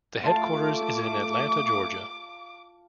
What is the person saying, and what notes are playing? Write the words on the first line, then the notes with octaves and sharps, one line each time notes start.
The headquarters is in Atlanta, Georgia.
A3 F4 F5 A5 D6